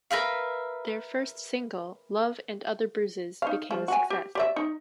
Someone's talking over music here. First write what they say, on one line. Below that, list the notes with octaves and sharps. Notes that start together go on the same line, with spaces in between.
Their first single, "Love and Other Bruises", became a success.
A#4 B4 E5 F5
D#4 F5
F3
F#4 G#5
G4
G4 D5 E5
D#4